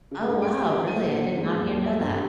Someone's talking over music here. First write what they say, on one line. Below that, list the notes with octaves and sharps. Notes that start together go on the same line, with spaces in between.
Oh, wow, really, I did not hear know that.
C#3
G#2
D7
G4
D#7
A#2
C5
G#2
D#2
E5
G1
G4